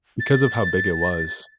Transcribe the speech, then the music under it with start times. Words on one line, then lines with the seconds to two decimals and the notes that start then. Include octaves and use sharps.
because of how big it was
0.20 A6